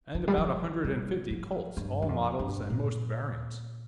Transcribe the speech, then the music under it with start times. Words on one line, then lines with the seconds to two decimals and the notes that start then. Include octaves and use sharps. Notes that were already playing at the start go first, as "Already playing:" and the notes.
And about a hundred and fifty Colts, all models and most variants.
0.15 D#3
0.28 G3
0.38 F3
0.84 G3
1.30 F3
1.77 G2
2.02 G2
2.09 F2
2.39 G2
2.70 A#2